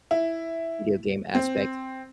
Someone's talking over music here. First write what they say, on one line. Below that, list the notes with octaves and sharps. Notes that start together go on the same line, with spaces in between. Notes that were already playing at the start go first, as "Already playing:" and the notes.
video game aspect,
E4
C4